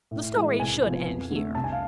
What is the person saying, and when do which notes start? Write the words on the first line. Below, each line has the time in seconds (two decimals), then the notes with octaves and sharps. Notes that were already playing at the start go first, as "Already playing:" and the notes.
The story should end here.
0.11 A2
0.36 E3 G#3
0.59 C2 G#5
0.83 C3 F3 B3
1.07 F2
1.31 D3 A3
1.55 C2 A5
1.64 G#5
1.72 F5